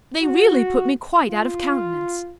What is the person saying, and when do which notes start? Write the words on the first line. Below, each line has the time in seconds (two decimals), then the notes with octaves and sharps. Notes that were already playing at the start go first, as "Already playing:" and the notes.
They really put me quite out of countenance.
0.21 F#4
1.27 F4